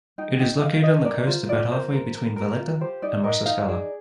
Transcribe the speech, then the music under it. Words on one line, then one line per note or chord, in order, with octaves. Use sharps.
It is located on the coast, about halfway between Valletta and Marsaskala.
D#4 G5
D#4 G5
D#4 F5
D#4 D#5
A#4 D5
F4 C5
F4 D5
A#4 C5
A#4
A#4
A#4
F4
G4 C5
D#4 D5
A#4 D#5
D#4 F5
G#4 D5